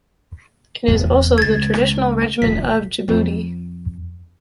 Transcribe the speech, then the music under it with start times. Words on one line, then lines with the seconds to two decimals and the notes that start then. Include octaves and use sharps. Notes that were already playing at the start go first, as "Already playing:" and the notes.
It is also the traditional regiment of Djibouti.
0.88 E1 E2 B3
1.38 C#2 B2 G#6 A6
2.42 D#1 C2 F3 B6
3.09 F2